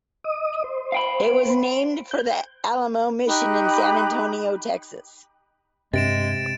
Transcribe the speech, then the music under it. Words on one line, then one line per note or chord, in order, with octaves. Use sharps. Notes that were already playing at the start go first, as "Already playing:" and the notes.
It was named for the Alamo Mission in San Antonio, Texas.
D#5 D#6
C5
F5 G5 B5
G6
D#4 G4 B5 F#6
G2 C3 G#3 A6 D7 E7